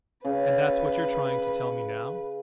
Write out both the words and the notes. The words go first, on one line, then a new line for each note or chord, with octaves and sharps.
"And that's what you're trying to tell me now?"
C#3 B4